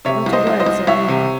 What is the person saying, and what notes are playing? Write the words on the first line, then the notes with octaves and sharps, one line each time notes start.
But not a word said Newman.
C3 C#5 E5
C2
C5 D#5
C2
C5 D#5
C2
C2 C#5 E5
C3